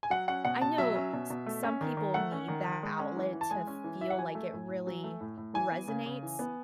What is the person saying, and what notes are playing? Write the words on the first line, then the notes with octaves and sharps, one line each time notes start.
I know s some people need that outlet to feel like it really resonates,
G#5
F#3 F#5
C#4 F#5
B2 F#5
B2 A5
F#3 E5
C#4
B2
B2
A3
C#4
D#3
D#3
A3 F#5
C#4
D#3
D#3
G#3
C#4
E3
E3
A5
G#3 G#5
C#4
E3
E3 E5
F#5
F#3 G#5
A3
A2
A2
F#3
A3
A2
A2
E3 G#5
B3
C#3
C#3
E3
B3